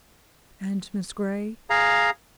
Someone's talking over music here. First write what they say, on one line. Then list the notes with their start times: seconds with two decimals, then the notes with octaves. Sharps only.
"And Miss Grey?"
1.70 G#4 F5 A#5